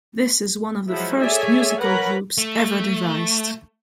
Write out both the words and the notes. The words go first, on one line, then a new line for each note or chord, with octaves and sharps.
This is one of the first musical groups ever devised.
F3 F#3 G#3 E4 F#4
G#4 A4 C#5 D5 E5 G#5
A#4 B4 C#5 F#5 A#5 B5
A3